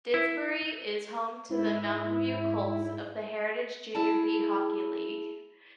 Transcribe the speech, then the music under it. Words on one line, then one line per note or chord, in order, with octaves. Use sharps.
Didsbury is home to the Mountainview Colts of the Heritage Junior B Hockey League.
E4
G#2 E4
E4 G#4 A5